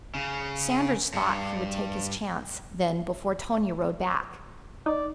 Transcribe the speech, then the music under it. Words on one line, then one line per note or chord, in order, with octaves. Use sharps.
Sandridge thought he would take his chance then before Tonia rode back.
C#3
G2
D#4 D5